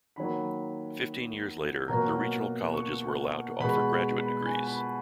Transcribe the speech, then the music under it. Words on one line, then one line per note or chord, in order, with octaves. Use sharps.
Fifteen years later, the regional colleges were allowed to offer graduate degrees.
D#3 F#3 A#3 B5
B2 F#3 A#3 A#5
C#6
B2 G#3 B5
B5
G#5
B5